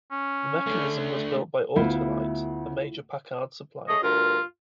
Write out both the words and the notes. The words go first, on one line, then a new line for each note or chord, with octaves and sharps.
The mechanism was built by Auto-Lite, a major Packard supplier.
C#4
D3 A3
D2 A3 B3 E4 F4
A3 G#4 C#5 D#5
D2 G2 F4 A#4